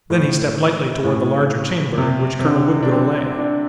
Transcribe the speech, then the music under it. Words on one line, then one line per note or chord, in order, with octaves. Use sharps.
Then he stepped lightly toward the larger chamber in which Colonel Woodville lay.
A2
A2
C3
C3
D3
D4
C4
D4